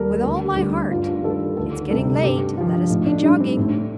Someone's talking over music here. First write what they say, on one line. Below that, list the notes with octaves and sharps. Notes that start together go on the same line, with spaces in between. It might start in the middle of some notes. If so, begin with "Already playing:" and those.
"With all my heart; it's getting late, let us be jogging."
Already playing: D#2 G3 A4 A#4
D2 A4
D3 G3 G4
G2 F4
D#3 G3 A4
D2 A4
C3 G3 A4
G2 G4
D3 F3 F4
A2 D#4
D4
G3 D4
C4
A2